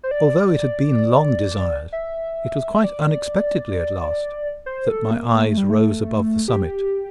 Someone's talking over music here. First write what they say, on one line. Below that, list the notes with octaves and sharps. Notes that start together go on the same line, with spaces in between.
Although it had been long desired, it was quite unexpectedly at last that my eyes rose above the summit.
C5
D5
E5
E5
D5
C5
A4
A#3
A#3
A3
G3
A3
G4